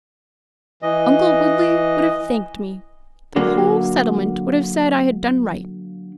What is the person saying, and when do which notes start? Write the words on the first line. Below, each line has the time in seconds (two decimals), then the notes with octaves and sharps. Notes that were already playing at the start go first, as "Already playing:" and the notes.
Uncle Woodley would have thanked me--the whole settlement would have said I had done right.
0.82 E3 D#5
3.36 D3 F#3 A#3